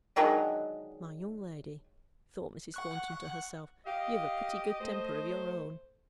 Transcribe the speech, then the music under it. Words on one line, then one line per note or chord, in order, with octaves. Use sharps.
'My young lady,' thought Mrs. Thornton to herself; 'you've a pretty good temper of your own.
D3 D#3 F#3 G#3
F#5 C#6 F#6
G4 D#5 F5
A3 C5